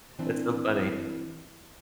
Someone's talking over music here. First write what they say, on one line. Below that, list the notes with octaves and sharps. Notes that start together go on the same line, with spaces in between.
That's so funny.
E3 C4 D4